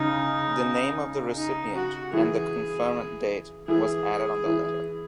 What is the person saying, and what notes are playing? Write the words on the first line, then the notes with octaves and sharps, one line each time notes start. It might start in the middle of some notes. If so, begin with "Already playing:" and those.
The name of the recipient and the conferment date was added on the letter.
Already playing: C#3 D#4
D#4
F#4
E3 G#4
E3 G#4
E3